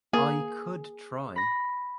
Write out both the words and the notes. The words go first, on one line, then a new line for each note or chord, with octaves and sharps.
I could try.
A#3 G#4
B5 A#6